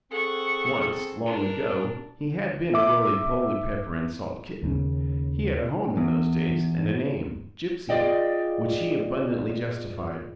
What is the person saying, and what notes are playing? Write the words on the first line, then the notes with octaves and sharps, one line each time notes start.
Once, long ago, he had been a roly-poly pepper-and-salt kitten; he had a home in those days, and a name, "Gipsy," which he abundantly justified.
C4 G#4 A4 F#5 C#6
D4 A#4
E5 D6
D#2 C#3
E2
F4 G#4 A4 D5 D#5 G5